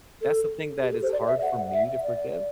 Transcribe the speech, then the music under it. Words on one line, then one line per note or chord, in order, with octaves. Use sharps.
that's the thing that is hard for me to forgive
A4
G4
A4
C5
D5
E5
F#5
E5
D5